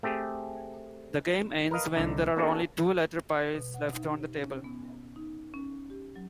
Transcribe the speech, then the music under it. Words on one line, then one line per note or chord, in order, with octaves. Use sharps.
The game ends when there are only two letter piles left on the table.
A3 C4 G4 G#4
A#4 B4 D#5 F5
C2 D3 D#4
A#3 B3 D4 F#4 G#4 A4
B2
F#5
D#4
G4
C#4
B3
D#4
C#4
G4
F#3